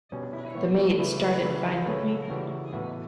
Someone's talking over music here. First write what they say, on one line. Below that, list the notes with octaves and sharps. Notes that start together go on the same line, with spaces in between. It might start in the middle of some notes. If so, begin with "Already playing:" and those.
The maid started violently.
B2 G3 C#4
D4
E4
E4
E3 B3 C#5
C#5
A4
C#3 E3 A3 B4
B4
C#3 E3 G3 B4
C#3 F#3 A3 C#4 B4
A4
C#3 E3 G3 F#4
F#4
A2 E3 B3 F#4